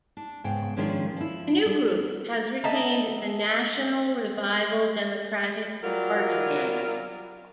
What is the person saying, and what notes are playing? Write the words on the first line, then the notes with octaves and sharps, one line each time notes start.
The new group has retained the National Revival Democratic Party name.
D4
G#2 C#3 B3 G5
D#3 F3 G#3 C#4 D4
F3 E4
G3
D#5 E5 A5 A#5
F#3 G3 F4 A#4